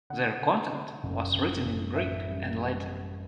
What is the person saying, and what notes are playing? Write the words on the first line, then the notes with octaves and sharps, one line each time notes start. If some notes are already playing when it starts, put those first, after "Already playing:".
Their content was written in Greek and Latin.
D3 F#5
D3
D3
F#1
F#1
F#1
A1 E5
G3
G3
G3